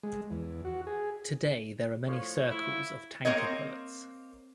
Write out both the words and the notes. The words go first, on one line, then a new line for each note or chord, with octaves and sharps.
Today there are many circles of tanka poets.
G#3
E2
F#4
G#4
A2 F3 C#5
E4
A#3 C4 A#4 C#5 D#5